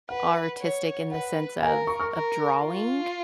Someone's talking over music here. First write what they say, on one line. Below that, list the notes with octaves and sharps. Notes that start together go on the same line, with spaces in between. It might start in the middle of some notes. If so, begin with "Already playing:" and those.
artistic in the sense of of drawing.
B4 F#5
C#5
B4 F#5
A#4 F5 G#5
A#5 C#6
C#6 F6
A#4
F4